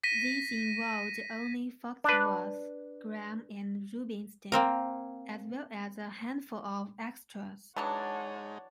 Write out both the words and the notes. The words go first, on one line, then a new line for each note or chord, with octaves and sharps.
These involved only Foxworth, Graham and Rubinstein as well as a handful of extras.
A#6 B6 D#7
D4 B4
A#3 C4 A#4
E3 F#3 G#3 D4 D#4 C#5 F#5 A5